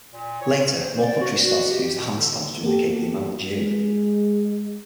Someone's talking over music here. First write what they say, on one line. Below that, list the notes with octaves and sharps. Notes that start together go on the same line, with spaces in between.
Later more countries started to use handstamps to indicate the amount due.
A#2
C#5
C5
D5
F#4
G4
B2
D3
A#3 B3 F#4 G4 A4
G#3